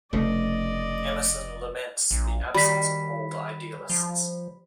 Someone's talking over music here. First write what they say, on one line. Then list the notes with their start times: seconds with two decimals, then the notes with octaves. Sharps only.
Emerson laments the absence of old idealists.
0.13 F1 C#3 A3 D5 D#5
2.11 A#1
2.54 D#3 G3 B5 B6
3.90 F3